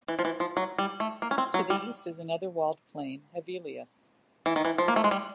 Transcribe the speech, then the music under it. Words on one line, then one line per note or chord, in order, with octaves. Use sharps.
To the east is another walled plain, Hevelius.
E3
F3
E3
F3
F#3
G3
A3
A#3
C#4
C4
F#3
G3
E3
D#3
E3
F3
A#3
A3
G#3
G3